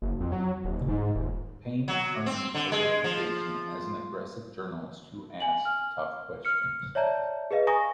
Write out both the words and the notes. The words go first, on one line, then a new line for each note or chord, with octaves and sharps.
Payne earned a reputation as an aggressive journalist who asked tough questions.
F#1
F2
F#3
D#1
G#2
D#1
F#3
C4
D3
G#3
F3
G#5 F#7
F6
F6 C#7
C#5 D5 E5 A5 A#5 G6
G#4 B4 D#5 F5
G#5 A#5 C#6 D#6 A#6